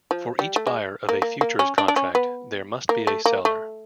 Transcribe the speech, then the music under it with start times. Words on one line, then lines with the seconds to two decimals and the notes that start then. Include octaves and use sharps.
For each buyer of a futures contract there must be a seller.
0.11 F3
0.39 G3
0.56 A3
0.67 G#3
1.09 A#3
1.22 A#3
1.41 A#3
1.59 C#4
1.78 D4
1.88 D4
1.96 C#4
2.15 B3
2.89 A#3
3.07 A3
3.26 A#3
3.45 A3